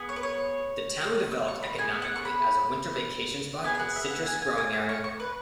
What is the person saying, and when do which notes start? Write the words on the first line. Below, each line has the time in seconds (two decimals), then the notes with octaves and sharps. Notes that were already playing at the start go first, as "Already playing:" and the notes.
The town developed economically as a winter vacation spot and citrus growing area.
Already playing: B3 G#4
0.09 C#5
0.16 B4
0.23 C#5
1.32 E6
1.48 C#6
1.63 B5
1.78 B3 G#4 G#5
2.02 F#5
2.16 C#6
2.25 B5
3.64 B3 G#5
3.68 G#4
3.75 G#5
3.80 F#5
3.96 E5
4.11 F#5
4.26 G#5
4.42 G#5
4.58 G#5
4.73 G#5
4.89 C#6
5.04 C#6
5.20 B4